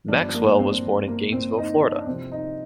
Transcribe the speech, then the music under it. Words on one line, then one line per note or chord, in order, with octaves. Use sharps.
Maxwell was born in Gainesville, Florida.
G1 G2 F3 D4
A#3
C4
A#3
C4
D#4
D4
D4
C2 C3 F3 C4
D#4